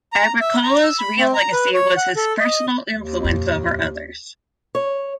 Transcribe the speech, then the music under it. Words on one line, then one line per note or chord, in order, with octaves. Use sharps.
Agricola's real legacy was his personal influence over others.
A#5
E5
A#5
E6
B5
C4
A#5
B4
C#5
F#5
A4
D#5
D#2
F2 A#2
C#5